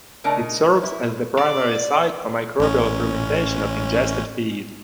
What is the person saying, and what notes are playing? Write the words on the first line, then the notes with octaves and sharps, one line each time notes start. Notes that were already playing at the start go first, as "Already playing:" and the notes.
It serves as the primary site for microbial fermentation of ingested feed.
C#3 A3 D4 D#4 A#4
E4
D5
A1 C#4